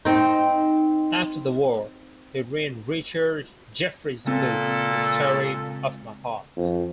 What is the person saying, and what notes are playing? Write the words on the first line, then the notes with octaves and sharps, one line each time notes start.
After the war, he read Richard Jefferies' book "The Story of My Heart".
C4 D#4
A#2 C#3 G#3 C4 A4
F2